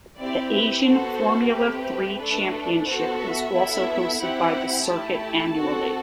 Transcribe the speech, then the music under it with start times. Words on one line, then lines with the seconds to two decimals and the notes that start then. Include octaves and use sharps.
The Asian Formula Three Championship is also hosted by the circuit annually.
0.20 C4 E4 G4 D5
0.53 B4
0.87 B3 F#4 A4 C5
1.53 A3 C4 G4 B4
2.20 A3 D4 A4
2.87 B3 F#4 A4 C5
3.20 E5
3.54 B3 E4 A4
4.21 C4 E4 G4 F#5
4.88 A3 E4 G4 A5
5.54 C4 F#4 A4